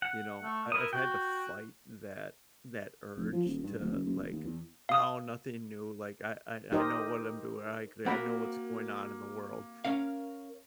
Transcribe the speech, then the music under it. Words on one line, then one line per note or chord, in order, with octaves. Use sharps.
you know, I I've had to fight that that urge to, like, "No. Nothing new, like, I I I know what I'm doing. I could I know what's going on in the world."
F#5
A3
E4 A#4 D#6
F#4 G5
F1
F3
D#1
G2
D1
F#1
F#1
E1
D#2
E2
F5 D#6
D#4 G4 A#4 C5 D#5
A#3 C4 F#4 A#4 F#5 A#5 B5
C#4 A#4 F5